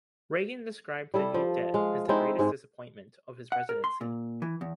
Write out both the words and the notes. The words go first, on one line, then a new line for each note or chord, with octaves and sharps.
Reagan described the new debt as the "greatest disappointment" of his presidency.
G3 E4 A4
F3
G#3 F5
G#3 C4 D#4 E4
G#2 G#3
F#5
A#4
C6
A#2
E3
E2